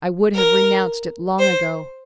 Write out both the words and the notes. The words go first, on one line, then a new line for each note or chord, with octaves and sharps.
I would have renounced it long ago.
A#4
C5